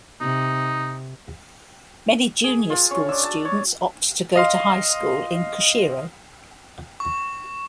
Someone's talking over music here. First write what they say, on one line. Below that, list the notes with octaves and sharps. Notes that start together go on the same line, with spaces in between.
Many junior school students opt to go to high school in Kushiro.
C3 D#4
G#4
F4
C#4
D4 E6
A5
C#5
D#5 F5 C6
C#6